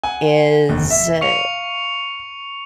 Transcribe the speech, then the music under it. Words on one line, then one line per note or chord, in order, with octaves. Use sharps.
is uh,
F#5 G#5
F1 D#2
E5
F5 C#6 C#7 F7